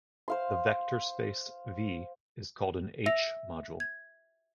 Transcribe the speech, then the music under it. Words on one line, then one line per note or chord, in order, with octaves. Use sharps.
The vector space "V" is called an "H"-module.
C5 F5 C6
E5 E6 A#6 F7
G#6